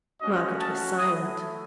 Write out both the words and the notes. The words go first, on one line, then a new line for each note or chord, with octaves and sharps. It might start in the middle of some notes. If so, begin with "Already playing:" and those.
Margaret was silent.
A3 C#4 F#4 D#5
A5
A3 E4 D#6